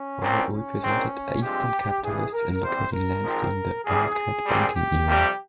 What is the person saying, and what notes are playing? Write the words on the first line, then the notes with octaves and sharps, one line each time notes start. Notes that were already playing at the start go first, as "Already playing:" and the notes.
Ball represented eastern capitalists in locating lands during the "wildcat banking" era.
Already playing: C#4
C2 A#2 F3 C4
C#4
C2 A#2 G#3 C4
G2 F3 G#3 C4 G4
G2 E3 G3 G#4
A#4
E2 C3 G3 C4 C5
A#4
G#1 G#2 F3 C4
E2 C3 G3 G#4
G#4
A#1 A#2 G3 C4
G4
F2 C3 G3